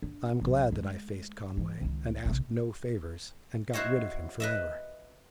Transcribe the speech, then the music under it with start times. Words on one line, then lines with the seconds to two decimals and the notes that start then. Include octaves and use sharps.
I am glad that I faced Conway, and asked no favors, and got rid of him forever.
0.02 D4
0.41 B1 F#3
0.72 G#3 A3
1.57 E3
1.81 C#2 D#3
2.25 A#1 C3
3.73 E4 F#4 C5 C#5 D#5
4.40 B4 D#5 E5